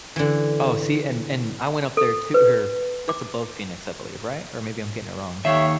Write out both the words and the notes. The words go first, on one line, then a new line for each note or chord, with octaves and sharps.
Oh, see, and and I went up there to her that's above Phoenix, I believe, right? Or maybe I'm getting it wrong.
D3 E3
A4
B4
D6
D#2 D#3 G4 A4 C#5 E5 F5